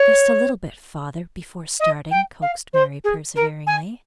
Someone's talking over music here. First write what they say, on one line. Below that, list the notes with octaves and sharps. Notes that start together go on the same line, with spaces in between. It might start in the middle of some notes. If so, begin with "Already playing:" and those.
"Just a little bit, father, before starting," coaxed Mary, perseveringly.
Already playing: C#5
D#5
G5
F5
C5
G#4
A#4
G#5